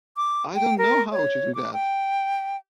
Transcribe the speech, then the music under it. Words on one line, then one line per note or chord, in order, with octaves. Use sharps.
I don't know how to do that.
D6
G5
A#4
C#5
D6
G5